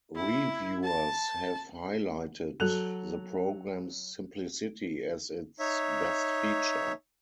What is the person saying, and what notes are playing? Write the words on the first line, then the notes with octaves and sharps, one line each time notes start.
Reviewers have highlighted the program's simplicity as its best feature.
E4
A5
F#3 A4 F#6 F7
D#4 C#5 E5